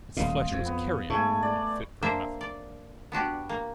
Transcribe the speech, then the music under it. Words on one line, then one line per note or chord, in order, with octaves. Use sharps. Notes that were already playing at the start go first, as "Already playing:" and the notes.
Its flesh was carrion, and fit for nothing.
D#1 A2 D#5 F5 C6
F2
B3
G#2 A3 G#5
D5
A#3 D4 C5 E5
D5
B3 D4 F#4 G4
A#3